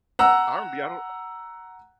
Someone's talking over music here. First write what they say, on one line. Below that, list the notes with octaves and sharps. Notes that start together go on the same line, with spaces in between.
RnB, I don't
F#5 A#5 E6